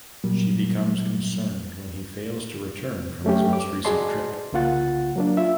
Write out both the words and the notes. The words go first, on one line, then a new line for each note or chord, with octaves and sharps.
She becomes concerned when he fails to return from his most recent trip.
A#2 F#3 G3 A#3
F#3 A3 C#4 G4
D6
F#4 G#4 D5 D#5 A5 C6
C2 C#3 A#3 F4 F#5 A6
F#3 A#3 D4
F4 E5